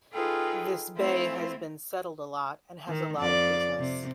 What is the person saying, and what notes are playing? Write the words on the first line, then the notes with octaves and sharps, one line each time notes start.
This bay has been settled a lot and has a lot of business.
D#4 F4 G#4 A4 B4 G5
A3 C4 E4 F4
D#3
F2 D5
C3